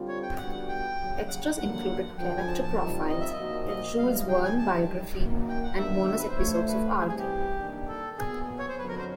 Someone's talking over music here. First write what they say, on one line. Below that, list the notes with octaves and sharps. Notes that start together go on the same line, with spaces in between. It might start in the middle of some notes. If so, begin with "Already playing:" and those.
Extras included character profiles, a Jules Verne biography, and bonus episodes of Arthur!
Already playing: D3 G3 C4 F4
C#5
G5
D3 G3 B3 D4 F#4 F#5
G5
D#2 C#3 F#3
F#5
G2 D3 F#3 A#3 F#5
F#2 D3 F3 G5
G#5
A5
A5
D#3 G3 C4 F4
D#5
E5
D#5
A#2 F3 A#3 D#4 F#4
D#5
E2 C#3 E3 G3 F5
G5
G#5
F#2 D#3 G3 A5
F#2 D#3 F#3 A#3
G5
F#5
D#2 D#3 F#3 B3 D4 E5
B4
C5
D3 F3 A3 C#5
C5
B4
C3 E3 G3 G#4
G#4
G4
D#3 G3 A#3 D4
A4
A#2 F#3 B3 G#4
C#5
C5
F2 D3 F#3 B4
A#4
C5